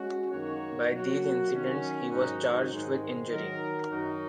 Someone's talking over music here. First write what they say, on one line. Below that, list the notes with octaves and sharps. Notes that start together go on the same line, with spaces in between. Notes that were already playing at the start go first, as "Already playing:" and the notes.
By these incidents he was charged with injury.
Already playing: G#3 C#4 F#4
F#2 D#3 A#3 F#4 C#5
F#3 A#3 F#4
D#3 F#3 C#4
G#2 D#3 F#3 D#4 F#4
G#2 D#3 G#3
D#3 F#3 D#4 A#4
F#2 D#3 F#3 D#4 F#4